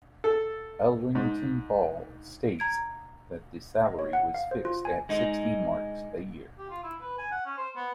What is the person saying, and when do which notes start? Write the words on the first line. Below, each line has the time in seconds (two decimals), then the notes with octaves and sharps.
Elrington Ball states that the salary was fixed at sixty marks a year.
0.24 A4
1.15 G#2
2.59 A#5 G#6 D7
3.85 D#5
3.99 C#5
4.13 F#5
4.34 F5
4.51 C5
4.65 F4
4.85 G#5
5.09 G#3 D#4
6.58 G4
6.70 F4
6.83 E4
7.01 B4
7.18 G#5
7.31 F#5
7.45 C#4
7.58 C5
7.76 B3